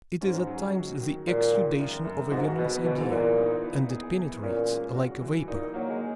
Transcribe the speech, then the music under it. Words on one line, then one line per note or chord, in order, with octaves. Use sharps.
It is at times the exudation of a venomous idea, and it penetrates like a vapour.
G#2 C#4
F#3
F#4
D#3
A#2 G#3
D#3
F#2
F#2
G#2 F#4
B2 B3
B2 E3
G#2
A#2 E3
D#4
B3
G#4
E3
A#2 C#4
G#3
F#4
E3
A#2 D#4
F#3 A#3
G#3